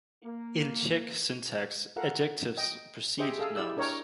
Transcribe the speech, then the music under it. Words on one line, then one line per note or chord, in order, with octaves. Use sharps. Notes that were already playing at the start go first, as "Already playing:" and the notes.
In Czech syntax, adjectives precede nouns.
A#3
F4 A4 A#4 F5 F#5
D#5 G5
G4 G#4 C5 D#5 E5 G5
G#4 A4 F5 E6
E4 G4 D5 E6
D4 A#4 C#5 D#5 G5 A#5